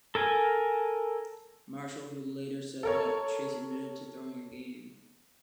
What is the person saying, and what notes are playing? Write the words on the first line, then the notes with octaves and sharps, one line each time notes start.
Marshall, who later said that Chase admitted to throwing a game.
A4 A#4 G#5
A4 A#4 C#5